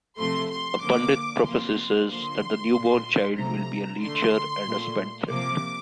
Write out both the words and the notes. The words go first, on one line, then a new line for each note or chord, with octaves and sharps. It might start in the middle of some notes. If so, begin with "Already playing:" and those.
A pandit prophesies that the newborn child will be a lecher and a spendthrift.
C3 F3 A3 C6
C6
D3 F3 A#3 D6
C3 F3 A#3 C6
D3 F3 A#3 C6
A#2 A3
C3 F3 A3 A#5
D3 A3 C6
A#2 A3
C3 F3 A#3 D6